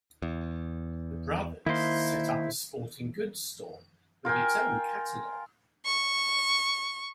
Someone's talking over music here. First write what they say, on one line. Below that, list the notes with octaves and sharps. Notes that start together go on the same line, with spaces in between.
The brothers set up a sporting goods store with its own catalog.
E2
D#3 A#3 E4 C5
F4 A#4 G5 G#5
C#6